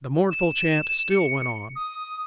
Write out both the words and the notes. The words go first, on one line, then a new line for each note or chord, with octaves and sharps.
The mournful chant still went on.
E7
C#7
D#6